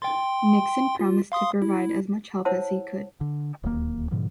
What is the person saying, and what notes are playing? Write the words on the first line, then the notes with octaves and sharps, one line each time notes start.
Nixon promised to provide as much help as he could.
G5 C6
F4
F5 C6 D#6
E4
E4 C5 C#5 F#5 A5 E6
D3
D1 D#2 F3 A#3
G#2 B2 D3 F3